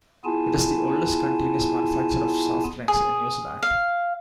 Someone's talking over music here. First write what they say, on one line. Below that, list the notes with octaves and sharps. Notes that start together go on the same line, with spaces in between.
It is the oldest continuous manufacturer of soft drinks in New Zealand.
B3 E4 F4 G#4 G#5 A5
G#4
F5